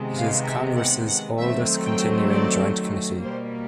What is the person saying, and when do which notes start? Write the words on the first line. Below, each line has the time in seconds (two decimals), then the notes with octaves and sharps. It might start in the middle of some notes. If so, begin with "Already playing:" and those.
It is Congress's oldest continuing joint committee.
Already playing: C3 D#3 G#3 B3
0.16 F5
0.45 E5
0.77 F#5
1.07 F#5
1.38 D#3 F#3 A3 C4 E5
1.84 G5
2.30 D5
3.22 B2 G3 A#3 C5